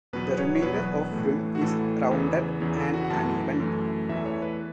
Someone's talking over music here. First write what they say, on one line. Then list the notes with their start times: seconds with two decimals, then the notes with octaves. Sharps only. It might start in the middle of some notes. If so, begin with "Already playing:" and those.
The remainder of rim is rounded and uneven.
0.13 E2 B2 F#3 B3 B4
0.31 B4
0.38 C#5
0.55 C#5
0.62 E2 B2 F#3 B3 B4
1.12 A2 E3 A3
1.55 F#4
1.61 A2 E3 A3 A4
2.11 E2 C#3 E3 B3
2.60 E2 C#3 E3 B3
2.77 A4
2.94 F#4
3.04 F#5
3.10 F#2 E3 A3 A5
3.60 F#2 E3 A3
4.09 E2 E3 A3 E5
4.26 C#5
4.42 B4